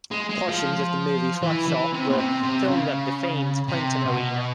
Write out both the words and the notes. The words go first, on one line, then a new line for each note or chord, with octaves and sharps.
Portions of the movie "Slap Shot" were filmed at the famed Clinton Arena.
G#3
G#3
F3
E3
E3
C3
B2
C3
C3
C#3
C3
B2